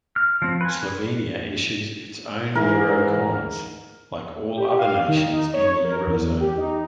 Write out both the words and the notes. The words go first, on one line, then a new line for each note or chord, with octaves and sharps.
Slovenia issues its own euro coins, like all other nations in the Eurozone.
F6
F3 C4
B4 G#5
G#2 E3 A#4
G4
F5
D#3
D#4
C#5
A#4
E2
G4
D#4